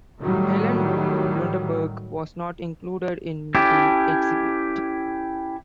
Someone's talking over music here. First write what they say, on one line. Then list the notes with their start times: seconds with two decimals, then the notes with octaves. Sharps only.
Helen Lundeberg was not included in the exhibit.
0.20 A2 D#3 F#3 G3
3.55 C#4 E4 G4 A4